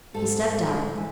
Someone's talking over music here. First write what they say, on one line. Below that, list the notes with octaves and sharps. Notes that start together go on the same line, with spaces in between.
He stepped out.
G#2 A4
G#2
G#3
E3